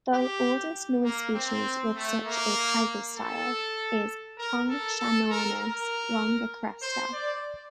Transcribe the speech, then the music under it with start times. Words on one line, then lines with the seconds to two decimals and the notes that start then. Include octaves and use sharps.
The oldest known species with such a pygostyle is "Hongshanornis longicresta".
0.13 G4
1.04 A#3
1.35 C4
1.95 A3
2.26 A#3
3.17 A4
4.38 A#4
4.69 A4
4.99 A4
5.30 A#4
5.60 A#4
6.82 C5
7.12 D5